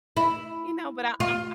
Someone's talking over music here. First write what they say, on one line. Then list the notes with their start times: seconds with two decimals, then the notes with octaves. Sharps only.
You know, but I I'm
0.17 E4
1.20 F4